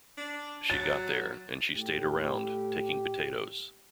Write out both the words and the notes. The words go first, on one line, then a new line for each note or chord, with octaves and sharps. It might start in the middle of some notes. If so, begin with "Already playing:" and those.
She got there, and she stayed around, taking potatoes.
D4
F#3 A6
A2 G4